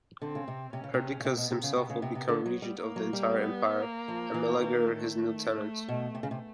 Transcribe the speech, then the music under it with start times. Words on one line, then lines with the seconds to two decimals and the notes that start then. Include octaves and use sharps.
Perdiccas himself would become regent of the entire empire, and Meleager his lieutenant.
0.22 D3 C4
0.35 C#3
0.48 C3
0.73 C3 C#4
0.84 C#3
0.94 C3
1.20 C#3
1.25 C3 B3
1.37 B2
1.51 C3
1.63 C#3
1.76 C3
1.90 C#3
2.02 C3
2.15 C3
2.28 D3
2.46 F#3
2.62 G3
2.79 A#3
2.96 F#3
3.13 G3
3.31 B3
3.82 A#3
4.08 F3
4.34 E3
4.60 D#3
4.86 A3
5.88 B2
6.15 C3
6.23 C#3
6.31 C3